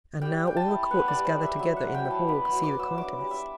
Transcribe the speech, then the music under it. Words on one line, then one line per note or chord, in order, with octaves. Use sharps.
And now all the court was gathered together in the hall to see the contest.
G3 G5
G3 G5
A5
E4
B3 F#5
D5
G3
C5
G3
E5
F#3 E5
F#5
F#3
G5
E4
A5
B3 B5
C6
F#3
D6
F#3 E6
D4 D6
G3
E5